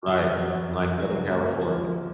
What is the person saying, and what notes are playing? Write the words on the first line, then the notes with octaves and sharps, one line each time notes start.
Right, like Southern California.
F#3
F2
F#3
F2
F2
F#3
F#3
C#2
A#3
A#3
F3
C#2